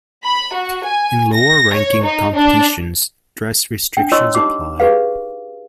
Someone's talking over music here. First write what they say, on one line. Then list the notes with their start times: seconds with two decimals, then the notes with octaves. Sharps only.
In lower ranking competitions dress restrictions apply.
0.23 B5
0.54 F#4
0.84 G#5
1.32 A#6
1.72 C#5
2.02 D#4
2.34 D4
3.97 D4 G5
4.12 E4 C#5 D#5 C6 C#6 E6
4.35 D#4 G4 D6
4.80 G4 G#4 B4 F5